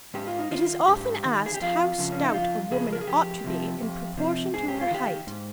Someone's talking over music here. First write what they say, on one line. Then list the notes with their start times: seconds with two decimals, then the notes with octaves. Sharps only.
It is often asked how stout a woman ought to be in proportion to her height.
0.14 G#2 G4
0.27 F4
0.39 D#4
0.51 D#3 F4
0.88 G#2 G4
1.25 D#3
1.46 G#4
1.54 G4
1.61 F2 F4
1.98 C#3 F3
2.12 C#4
2.23 D#4
2.34 F2 F4
2.71 C#3 F3 G#4
2.93 A#4
3.01 G#4
3.07 F2 G4
3.44 C3 F3
3.81 F2
4.18 C3 F3
4.54 G#2 G#4
4.68 G4
4.81 F4
4.91 D#3 G4
5.27 G#2